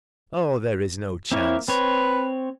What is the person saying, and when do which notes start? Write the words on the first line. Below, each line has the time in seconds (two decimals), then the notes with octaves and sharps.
Oh, there is no chance.
1.32 A#3 C4 E4 C#5
1.68 C4 B4 C#5